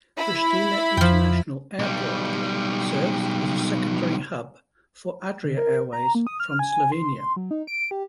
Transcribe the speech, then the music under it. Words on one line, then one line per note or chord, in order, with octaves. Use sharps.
Prishtina International Airport serves as a secondary hub for Adria Airways from Slovenia.
E4 B5
F2 F3 G5
B1 G3
D3
A#4
A#5
A#3
D#6
F6
G#5
C6
F#3
D#4
D7
G4